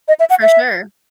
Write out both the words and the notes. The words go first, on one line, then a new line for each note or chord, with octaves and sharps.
For sure.
D#5
E5
F#5
E5